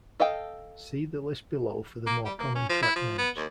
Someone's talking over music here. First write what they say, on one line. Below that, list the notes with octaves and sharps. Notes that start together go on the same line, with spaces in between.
See the list below for the more common track names.
A4 D#5 F5 G5
A#3
G3
A#3
C#4
F3
E4
F3
B3
D#2